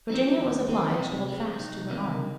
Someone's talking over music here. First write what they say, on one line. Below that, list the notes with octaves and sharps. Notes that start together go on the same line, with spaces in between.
Virginia was obliged to hold fast to her arm.
F3 C4 D#4
D#2
D#3 C4
C3
G#3 C4
C2 D#4
C3 D#3 A#3